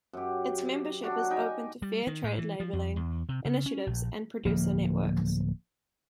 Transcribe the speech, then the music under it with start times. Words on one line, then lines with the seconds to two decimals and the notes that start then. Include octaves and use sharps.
Its membership is open to Fairtrade labeling Initiatives and producer networks.
0.13 F#2 G4
1.03 F#3 D4 F#4
1.30 D#4 G5 G#5
1.82 G3
2.07 D#3
2.24 A2
2.38 E3
2.60 F3
2.73 F2
2.96 E2
3.29 C3
3.45 C#3
3.66 C#4
3.87 A#1
4.45 D1 F3 A#3